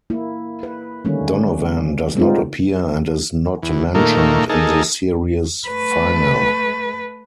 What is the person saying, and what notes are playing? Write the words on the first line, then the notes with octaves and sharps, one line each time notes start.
Donovan does not appear and is not mentioned in the series finale.
A#3 E4
B4
D3 D#3 G3 A3 A#3 C#4
G3 G#3 B3 C4 D#4 F4
E2
A#2 D#3 A3 A#3
A#3 D#4 G#4 A4
A3 B4